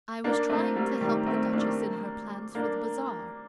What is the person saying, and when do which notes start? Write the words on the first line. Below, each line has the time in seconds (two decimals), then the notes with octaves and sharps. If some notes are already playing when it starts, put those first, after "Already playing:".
"I was trying to help the Duchess in her plans for the bazaar."
0.24 A#3 D4
0.50 A3 C4
0.76 G3 A#3
1.01 D#3 G3
1.27 A3 C4
1.53 A#3 D4
2.55 A#3 D4